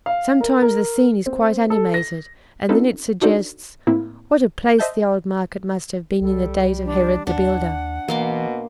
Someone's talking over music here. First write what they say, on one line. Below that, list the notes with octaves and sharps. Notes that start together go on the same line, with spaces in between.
Sometimes the scene is quite animated, and then it suggests, What a place the old market must have been in the days of Herod the Builder!
F5
A#4
A#4
C4
A4
A#6
C4 C#4 D#4 F4 A4 B4
D4 D#4 F#4 A4 C5 D5
A2 A#3 C4 E4
C5 D#5 E5 A5 G6
C2 G3 A4
D4
D#2 D4 F#5
B2 E3 A#3 C6 D6